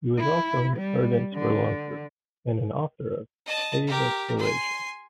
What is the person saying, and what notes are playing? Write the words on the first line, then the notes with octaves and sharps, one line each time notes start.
He was also an ardent spelunker and the author of "Cave Exploration".
E4
G3
D3
D#5 A5
G4 A#4
G#5 C6